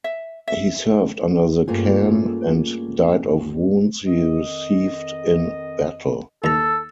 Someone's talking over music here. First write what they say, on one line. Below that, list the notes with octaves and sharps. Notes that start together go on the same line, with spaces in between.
He served under the khan and died of wounds he received in battle.
E5
E5
G2 A3 A#3 C#4 F4 G#4
F2 D#3 D#5
D#2 A4 A#5